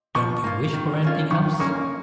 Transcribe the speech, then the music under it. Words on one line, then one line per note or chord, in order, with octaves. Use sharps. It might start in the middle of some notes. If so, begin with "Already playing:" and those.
Don't you wish for anything else?
F3 C#6
A#3 F4
D#3
A#3 C#4 F4
D#3 C#6
A#3 C#4 A#4 C#6